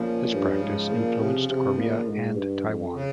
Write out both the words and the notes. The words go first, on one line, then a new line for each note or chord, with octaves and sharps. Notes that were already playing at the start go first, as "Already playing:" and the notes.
This practice influenced Korea and Taiwan.
Already playing: A#2 C#3 F3
G2
G#2
A#2
C3
C3
A#2
G#2
G2
F2
C#3